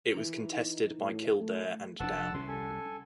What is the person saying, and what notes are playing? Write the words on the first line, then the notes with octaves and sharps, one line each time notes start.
It was contested by Kildare and Down.
E3 A#5
D#4
A2
A3
F1 F3 D4 F#5 A5 E6
C2 G3 C#4 C6
A4 G#5